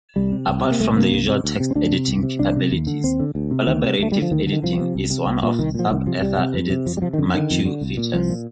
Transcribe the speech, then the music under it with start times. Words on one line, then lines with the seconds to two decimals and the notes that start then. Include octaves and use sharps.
Apart from the usual text-editing capabilities, collaborative editing is one of SubEthaEdit's marquee features.
0.16 C2 G3
0.32 C3
0.48 C2
0.64 C3
0.71 A#3
0.80 C2 A3
0.96 C3 A#3
1.12 C2
1.28 C3
1.44 D2
1.60 C3
1.71 C4
1.75 D2 D4
1.92 C3
2.08 C2
2.23 C3
2.39 C2 D4
2.56 C3
2.71 D#2
2.87 D3
3.04 D#2 C4
3.20 D3
3.35 D2
3.51 C3
3.67 D2 D#3
3.84 C3
3.99 D2 A3
4.12 D3 G3
4.22 F3
4.31 D2 D#3
4.47 D3
4.52 D#3
4.63 C2 F3
4.79 C3
4.95 C2
5.10 C3
5.26 C2
5.43 A#2
5.59 C2 D#3
5.74 A#2 F3
5.91 C2 D#3
6.07 C3 F3
6.22 C2 G3
6.38 C3
6.54 F2
6.70 C3
6.86 F2 F3
6.97 G3
7.02 C3 F3
7.13 D#3
7.18 F2 D3
7.34 D3 D#3
7.51 F2
7.66 D3
7.81 C2
7.97 A#2
8.14 C2 F3
8.30 A#2